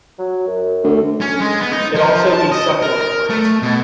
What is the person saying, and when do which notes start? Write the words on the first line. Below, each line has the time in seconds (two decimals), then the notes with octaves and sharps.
It also eats succulent plants.
0.19 F#3
0.47 F#2
0.83 D2 A4
1.21 C#4
1.41 G#3
1.60 B3
1.73 D#4
1.95 F3
2.33 A5
2.52 D#5
2.82 A#4
3.01 A#4
3.30 A3
3.63 B2